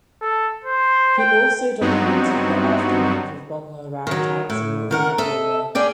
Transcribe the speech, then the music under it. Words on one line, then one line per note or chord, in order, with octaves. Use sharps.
He also documented the aftermath of Boko Haram attacks in Northern Nigeria.
A4
C5
G5
G2 F#3 B3 C4 D#4 F#4
D#3 F#3
A2
D#3 A#4 F#5
A4 D#5 E5
C#4 G#4 D5 G5